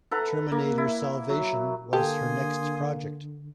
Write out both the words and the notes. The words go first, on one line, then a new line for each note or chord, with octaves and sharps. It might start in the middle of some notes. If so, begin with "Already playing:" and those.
"Terminator Salvation" was her next project.
A4 B4 F#5 A#5
A#3
E4
F#3
D3 A#3 G4 A4 G#5 C6 D#6